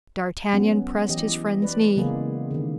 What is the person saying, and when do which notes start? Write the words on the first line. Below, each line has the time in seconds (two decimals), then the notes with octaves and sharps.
D'Artagnan pressed his friend's knee.
0.53 F#3 B3 C#4
1.09 E3 G4 D#5
1.62 B4 D5
1.97 C#3 E3 G#3 A#3 B3 G#4
2.51 D3 D#3